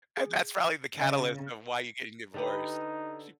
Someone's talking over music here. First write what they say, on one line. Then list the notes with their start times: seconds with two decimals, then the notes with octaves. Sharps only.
And that's probably the catalyst of why you're getting divorced. She
0.17 G#4
0.99 C#3 D#5 A6
2.34 D3 D#4 G4 B4